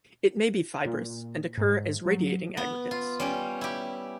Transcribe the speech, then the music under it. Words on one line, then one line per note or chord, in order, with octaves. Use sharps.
It may be fibrous and occur as radiating aggregates.
A#2
G#2
F#3
B3
F4
G3 C#4 G4
E4 G4